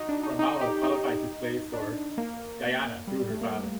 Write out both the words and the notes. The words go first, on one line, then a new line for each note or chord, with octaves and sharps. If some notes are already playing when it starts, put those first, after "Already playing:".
Ramalho qualified to play for Guyana through her father.
Already playing: D#4 F#4
D4
D#4
D#4
G4
D#4
D4
A#3
G3
G3
A3
A#3